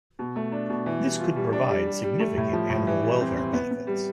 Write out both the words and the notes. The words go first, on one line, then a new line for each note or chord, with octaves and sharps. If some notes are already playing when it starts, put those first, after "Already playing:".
This could provide significant animal welfare benefits.
B2
A3
D4
B2
E3
G3
F4
G3
D4
G3
G3
G3
A3
A2
F3
A2
E3
G3
C4
C4
B3
B3
G3